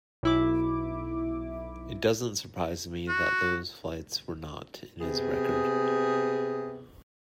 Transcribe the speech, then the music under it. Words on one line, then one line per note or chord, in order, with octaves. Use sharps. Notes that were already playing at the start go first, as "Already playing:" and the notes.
It doesn't surprise me that those flights were not in his record.
B1 E4 D6
F#4
C3 B3 G#4